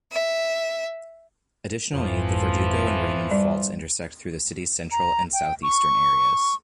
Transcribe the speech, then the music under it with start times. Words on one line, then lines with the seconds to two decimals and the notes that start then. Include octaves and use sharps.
Additionally, the Verdugo and Raymond faults intersect through the city's central and southeastern areas.
0.11 E5
1.92 G#1 F2 E3 F3
3.31 G3
4.92 A#5
5.33 G5
5.63 C#6